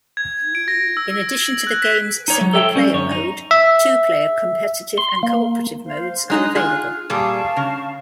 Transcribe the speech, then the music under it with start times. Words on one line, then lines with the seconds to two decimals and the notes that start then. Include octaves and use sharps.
In addition to the game's single-player mode, two-player competitive and cooperative modes are available.
0.17 G#6
0.55 D7
0.68 A#6
0.97 E6
1.09 A#6
1.40 F#7
1.67 F#6
1.82 B6
2.28 D#4 C#5
2.41 F#3
2.54 A4 C#5 E5 G5
2.75 G3 C#4
2.94 F#2 C#5
3.11 D#4
3.51 E5
4.98 C6
5.23 A#3
5.85 C5 F5
6.30 G#3 D#4 G#4 F#6
6.55 F4 G#4
7.10 A#2 G3 G#4 F5 A5 C#6
7.57 C#3